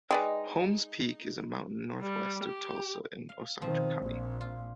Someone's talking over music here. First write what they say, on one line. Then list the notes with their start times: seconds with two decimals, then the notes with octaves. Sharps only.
Holmes Peak is a mountain northwest of Tulsa in Osage County.
0.11 G#3 D#4 B4 D5 G5
2.01 G3
2.44 G4
3.29 F5
3.62 B2 D#3 F3 C4
4.01 A#1 A#2
4.41 F4